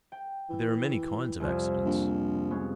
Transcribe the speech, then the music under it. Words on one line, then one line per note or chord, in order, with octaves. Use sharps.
But there are many kinds of accidents.
G5
E3
C2 F2
A#1
G#3 B3 C#4